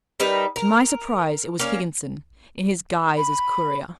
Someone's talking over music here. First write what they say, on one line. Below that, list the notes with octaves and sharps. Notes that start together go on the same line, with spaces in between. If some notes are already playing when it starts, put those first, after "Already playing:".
To my surprise, it was Higginson--in his guise as courier.
G3 D#4 A#4 B4
A#4
A#3 C#4
B5